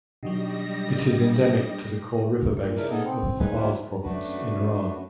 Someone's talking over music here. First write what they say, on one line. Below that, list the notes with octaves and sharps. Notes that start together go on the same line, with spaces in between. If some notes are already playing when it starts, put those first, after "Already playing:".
It is endemic to the Kor River basin of the Fars Province in Iran.
B2 D#3 F#3 G3 D4 G4 D#5 A#6
A#2
C#3 D4 E4 A#4
B3 D#4 G#4 A4 D#5
C4
C#3 D#4 B4 G#5
D2 D#3 A#3 D4 E4 C5
F#2 A3 D4 F#4 B4